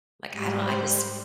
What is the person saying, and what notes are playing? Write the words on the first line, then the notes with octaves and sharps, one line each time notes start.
Like, I don't, I just
G#2 G3
C5